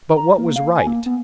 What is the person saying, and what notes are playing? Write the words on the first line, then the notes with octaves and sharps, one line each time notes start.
But what was right?
A#5
A#3
F5
G#5
A#3
B3